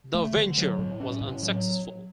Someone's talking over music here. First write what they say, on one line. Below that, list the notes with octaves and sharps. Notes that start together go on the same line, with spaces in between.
The venture was unsuccessful.
A3
D3
F#3
A2
C#4
A2
F#3